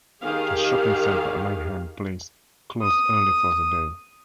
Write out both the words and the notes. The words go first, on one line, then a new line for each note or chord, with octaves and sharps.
The shopping centre at Langham Place closed early for the day.
D#3 G4 G#4 F5
D#6